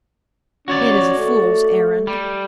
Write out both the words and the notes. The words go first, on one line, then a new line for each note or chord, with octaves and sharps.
"It is a fool's errand."
C#4 F#4 C#5 D5
A3
G3